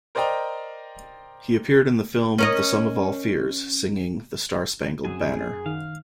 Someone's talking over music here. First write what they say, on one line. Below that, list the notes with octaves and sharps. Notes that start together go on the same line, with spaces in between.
He appeared in the film "The Sum of All Fears" singing "The Star-Spangled Banner".
A#4 C5 D5 D#5 G5 A#5
C#4 A#4 D#5
F#2 C4 G#4 G#5
D#3 F5